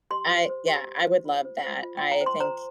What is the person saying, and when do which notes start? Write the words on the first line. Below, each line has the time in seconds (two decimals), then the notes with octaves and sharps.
uh, yeah, I would love that. I think,
0.11 G4 C6
0.30 C5
0.49 C5
0.68 G4
0.87 G4
1.07 C5
1.25 F4
1.45 C5
1.64 C5
1.82 F4
1.97 F4 G5
2.12 A#5
2.21 C5
2.26 C6
2.40 C5 A#5